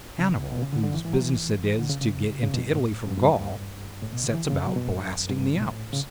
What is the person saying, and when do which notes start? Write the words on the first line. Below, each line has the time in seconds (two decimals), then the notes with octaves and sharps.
Hannibal, whose business it is to get into Italy from Gaul, sets about blasting the Alps.
0.19 C#3
0.52 B2
0.63 C#3
0.73 D3
0.83 D3
0.94 E3
1.05 E3
1.13 F#3
1.21 E3
1.79 D3
1.90 C#3
2.01 C#3
2.43 C#3
2.54 B2
2.64 G2
2.75 A2
3.07 G2
3.17 G2
3.28 F#2
3.39 G2
4.03 A2
4.13 B2
4.23 D3
4.34 E3
4.50 C#3
4.66 F#3
4.76 B2
4.88 A2
4.98 F#2
5.29 G2
5.54 B2
5.61 A2
5.93 C#3